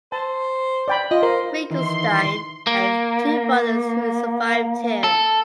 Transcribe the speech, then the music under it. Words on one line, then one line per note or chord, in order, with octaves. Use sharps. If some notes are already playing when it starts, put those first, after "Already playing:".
Finkelstein had two brothers who survived him.
C5 A5
D5 G5 B5
F4 D#5
A#4 C5
D#3 E3 C6
A#3
A4